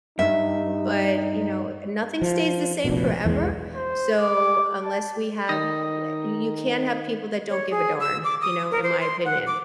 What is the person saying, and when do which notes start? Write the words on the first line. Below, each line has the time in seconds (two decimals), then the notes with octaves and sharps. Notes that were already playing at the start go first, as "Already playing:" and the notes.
but, you know, eh nothing stays the same forever. So, unless we have eh I you can't have people that don't give a darn, you know, in my opinion.
0.19 G2 D#4 E5
2.22 F3
2.84 F1 A#1 F2 B2
3.24 B1 E2 E3 G#3
3.76 C5
4.20 D6
4.84 A5
5.49 D#3 D#4 D#5
7.50 C#5
7.71 G#4
8.00 E6
8.24 D6
8.41 D#6
8.71 A#4
8.83 C5
9.00 C6
9.25 F#5
9.47 D6